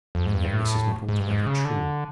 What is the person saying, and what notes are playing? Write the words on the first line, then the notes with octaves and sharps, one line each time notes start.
And yet this is not altogether true.
F2
G#2
G2
A2
G#2
G2
G#2
C#3
D3